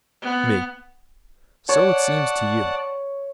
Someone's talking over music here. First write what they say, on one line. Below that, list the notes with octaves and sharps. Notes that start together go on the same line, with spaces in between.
ME: So it seems to you.
B3
C#5 D5 F#5 A5